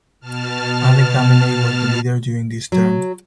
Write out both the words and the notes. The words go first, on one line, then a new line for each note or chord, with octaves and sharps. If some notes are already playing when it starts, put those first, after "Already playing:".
Ali Khamenei was the Leader during this term.
B2 A5 F6
F#3